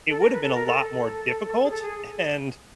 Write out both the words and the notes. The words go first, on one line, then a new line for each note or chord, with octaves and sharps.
it would've been a lot more difficult, and
A4
A#4
B4
A4
A#4
A4
A4
G#4
A4
G#4